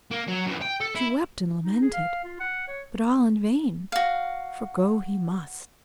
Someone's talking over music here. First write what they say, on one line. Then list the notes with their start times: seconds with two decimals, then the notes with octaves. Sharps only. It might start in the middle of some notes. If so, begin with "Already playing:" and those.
She wept and lamented, but all in vain, for go he must.
0.11 A#3
0.28 F#3
0.46 F#2 E3
0.62 G5
0.81 A4
0.95 E4
1.62 D#4
1.81 G#4
1.93 F5
2.24 F4
2.40 F#5
2.68 C#5
3.92 F#4 F5